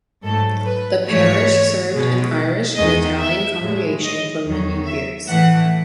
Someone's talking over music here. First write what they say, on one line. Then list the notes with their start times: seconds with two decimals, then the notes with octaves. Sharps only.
The Parish served an Irish and Italian congregation for many years.
0.24 G#2 F#3 A3 A4
0.66 B4
1.08 G#2 E3 A3 C#5
1.92 B2 G#3
2.76 E2 D#3 G#3 D#5
3.19 E5
3.60 A2 G#3
4.02 D#5
4.44 E2 D#3 F#3
4.86 E5
5.29 A2 E3 A3 F#5